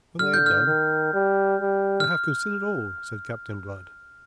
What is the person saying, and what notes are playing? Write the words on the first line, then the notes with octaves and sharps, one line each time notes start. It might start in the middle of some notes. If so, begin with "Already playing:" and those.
When they had done, "I have considered all," said Captain Blood.
D3 F6
G6
F6
D#3
G3
G3
F6